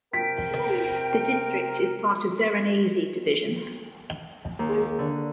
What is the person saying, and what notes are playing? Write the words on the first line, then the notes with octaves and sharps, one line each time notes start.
The district is part of Varanasi Division.
C3 A#4 G5 B6
D#2
D3